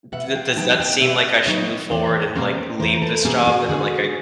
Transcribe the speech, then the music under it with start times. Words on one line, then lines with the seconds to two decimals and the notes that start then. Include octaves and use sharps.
d does that seem like I should move forward and, like, leave this job that, uh, like, I
0.12 B2 E5 F#5
0.35 F5 G5
0.57 F#3 B3 D#4 G5 A5
0.80 G5 A5
1.01 B2 D5 E5
1.46 F#3 B3 D#4 C#5 D#5
1.90 E2 C5 D5
2.35 B2 G3 A#3 C#4 A#4 C5
2.80 E2 A#4 C5
2.95 A#4
3.02 A4 B4
3.24 B2 G3 A#3 C#4 G#4 A#4
3.47 F#4 G#4
3.69 D3 F#4 G#4